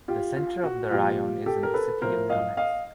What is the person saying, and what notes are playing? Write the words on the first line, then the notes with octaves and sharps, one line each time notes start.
The center of the raion is in the city of Donetsk.
F4 G4
F4
F#4
A#2 F3 F4 G4
G4 A4
A#4
A4 B4
A2 F3 A#4 C5
D#5 F5
D#5 F5